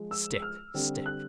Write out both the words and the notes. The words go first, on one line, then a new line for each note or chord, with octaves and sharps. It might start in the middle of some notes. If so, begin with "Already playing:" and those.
'Stick, stick!
Already playing: F3 G#3
E6
F6
D3 G3 C4
F#6